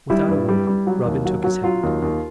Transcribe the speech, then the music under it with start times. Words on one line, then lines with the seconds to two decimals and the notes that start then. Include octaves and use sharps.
Without a word, Robin took his hand.
0.10 G3 E4
0.29 G2
0.49 G3
0.67 G3
0.87 F#3
1.05 D#2
1.25 F#3
1.44 F#3
1.63 F#3 F4
1.83 D#2
2.02 D#2